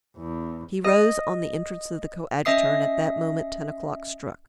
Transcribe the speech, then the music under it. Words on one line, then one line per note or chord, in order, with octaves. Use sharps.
He rose on the entrance of the coadjutor, and at that moment ten o'clock struck.
E2
D#5
C#4 D#5 E5 D#6 C7